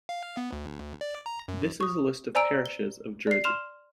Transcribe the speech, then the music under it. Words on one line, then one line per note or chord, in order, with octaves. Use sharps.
This is a list of parishes of Jersey.
F5
B3
D2
D5
A#5
F#2
C#6 D#6
C5 D5 G#5 A#5 E6 D7
G7
D5 C7
C6 F6 E7 F7